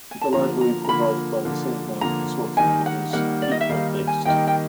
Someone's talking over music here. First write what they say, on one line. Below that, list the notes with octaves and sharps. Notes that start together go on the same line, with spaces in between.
The library provided by The Sendmail Consortium is pthread-based.
G#5
A5
D3 F3 A#3 A#5
A#5
A#5
D3 F3 A#3 B5
D3 F3 A#3
D3 F3 A#3 A#5
D#3 G3 A#3 D#4 G#5
F#5
D#3 G3 A#3 D#4 F#5
D5
D#5
E5
D#3 G3 A#3 D#4 F5
G#5
D#3 G3 A#3 D#4 G5
G5